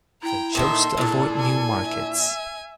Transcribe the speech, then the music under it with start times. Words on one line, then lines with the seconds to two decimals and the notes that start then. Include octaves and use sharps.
They chose to avoid new markets.
0.22 E4 G5 A#5
0.55 A#2 D#3 D#4 A4 E5 C6
0.97 A#2 D4 E4 G#4
1.39 G#5
1.85 E5
2.15 G#5